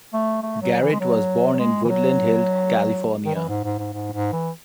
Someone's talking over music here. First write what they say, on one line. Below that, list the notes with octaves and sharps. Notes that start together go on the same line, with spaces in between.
Garrett was born in Woodland Hills, California.
A3
A3
F#3
E3
G#3
F#3
F#3
G#3
E3
F#3
D#3
E3
G#2
G#2
G#2
G#2
G#2
E3